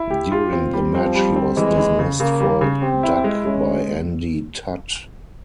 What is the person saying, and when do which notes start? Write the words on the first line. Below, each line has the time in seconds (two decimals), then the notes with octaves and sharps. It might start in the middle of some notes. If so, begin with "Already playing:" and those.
During the match he was dismissed for a duck by Andy Tutt.
Already playing: E4
0.10 G4
0.32 F4
0.53 C4
0.73 G3
0.94 F3 C4
1.15 G3
1.36 C4
1.57 E3 G#3
1.77 E3
1.99 C#3
2.20 C#3 A#3
2.40 G3
2.61 C#3
2.82 C4 G4
3.03 E4
3.24 G#3
3.45 G#3 C#4